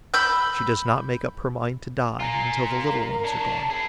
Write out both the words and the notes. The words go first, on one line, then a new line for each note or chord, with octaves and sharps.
She does not make up her mind to die until the little ones are gone.
B5 E6 G6
A#3 F4 G#5 A#5
A#4
D4 C#5 A5
E4 G#4